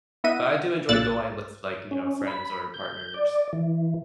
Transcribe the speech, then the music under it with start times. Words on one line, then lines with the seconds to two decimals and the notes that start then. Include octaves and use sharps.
but I do enjoy going with like, you know, friends or partners
0.24 B3 E4 D#5 E5 F#5 D#7
0.89 B1 A#2 E6 F#6 A6
1.91 C#4
2.27 B5
2.74 G6
3.14 D5
3.53 E3